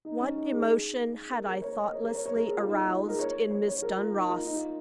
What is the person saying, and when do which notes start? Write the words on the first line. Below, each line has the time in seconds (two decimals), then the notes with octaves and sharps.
WHAT emotion had I thoughtlessly aroused in Miss Dunross?
0.05 D#4
0.21 C#4
0.36 D#4
0.52 G#4
1.31 A#4
1.46 A#4
1.62 C#5
1.77 D#5
1.93 C#5
2.04 A#4
2.15 C#5
2.26 C#5
2.36 A#4
2.46 G#4
2.57 F4
2.67 D#4
2.78 F4
2.88 F4
2.99 G#4
3.09 A#4
3.19 C#5
3.51 C#5
3.67 C#5
3.82 A#4
3.98 F4
4.13 D#4
4.29 F4
4.45 D#4
4.55 F4